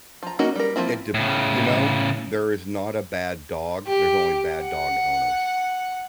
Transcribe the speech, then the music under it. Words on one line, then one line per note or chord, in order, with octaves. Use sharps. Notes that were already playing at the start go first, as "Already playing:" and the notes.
It dep you know? There is not a bad dog, there's only bad dog owners.
F3 A#5
A#3 C#4 D#4 F#4 A#4
G3 A#4
F3 A#3 C4 E4
A2 C#3
G4
F#5